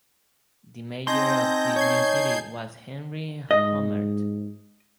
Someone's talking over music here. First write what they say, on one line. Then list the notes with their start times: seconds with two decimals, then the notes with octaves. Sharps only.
The mayor of this new city was Henry Hummert.
1.07 C4 D#4 G#5 A5 C6 G6 A#6
1.76 C#5 G6 G#6 C7
3.51 G#2 D#5